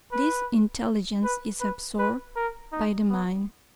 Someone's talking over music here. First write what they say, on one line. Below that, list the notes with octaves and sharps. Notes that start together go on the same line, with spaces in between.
This intelligence is absorbed by the mind.
B4
B4
B4
B4
A#4
D#4
B3